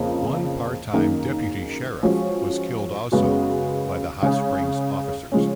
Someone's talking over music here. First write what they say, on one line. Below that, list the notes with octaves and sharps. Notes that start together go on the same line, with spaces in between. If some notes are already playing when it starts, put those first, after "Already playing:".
One part-time deputy sheriff was killed also, by the Hot Springs officers.
Already playing: F2 C#3 F3 A#3 F4
F#2 D#3 A#3 D#4 G#4
F3 G#3 C#4 F#4
F#2 C#3 G#3 B3 F#4
C#3 G#3 C#4 G#4
C#3 F3 G#3 C#4